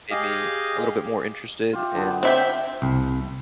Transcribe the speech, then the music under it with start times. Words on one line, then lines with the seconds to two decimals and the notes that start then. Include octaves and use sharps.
made me a little bit more interested in
0.11 G4 G#4 D#5 F5
1.73 F4 G4 E5
1.95 D3 B3
2.23 C4 E5 G5
2.82 C2